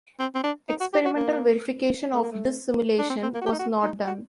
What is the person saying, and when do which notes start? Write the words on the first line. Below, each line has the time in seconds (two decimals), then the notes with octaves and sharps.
Experimental verification of this simulation was not done.
0.19 C4
0.35 C4
0.44 D4
0.69 D#4
0.80 F#4
0.93 G4
1.05 F#4
1.16 A#3
2.14 A3
2.22 A#3
2.32 A3
2.99 D4
3.10 C4
3.23 C4
3.34 A#3
3.41 F#4
3.46 G4
3.52 D#4
3.59 F#4
3.83 D#4
4.07 F#4